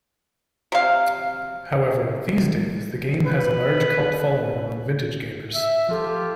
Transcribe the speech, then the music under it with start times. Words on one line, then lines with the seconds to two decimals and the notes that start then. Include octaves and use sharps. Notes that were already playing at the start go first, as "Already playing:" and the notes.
However, these days the game has a large cult following among vintage gamers.
0.72 C3 F5
3.27 B4
5.53 E5
5.89 F3 F4 G4 A4